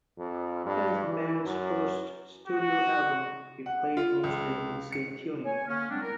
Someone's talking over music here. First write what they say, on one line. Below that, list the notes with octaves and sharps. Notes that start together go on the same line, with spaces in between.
It is the band's first studio album to be played mostly in C tuning.
F2
G2
E3
F#2
F#4
F#5
F4
C#2
C#7
C#5 G#5
D3 A#3 C#4 F6
G3 G#3 B3 C4 D4
E4 A#4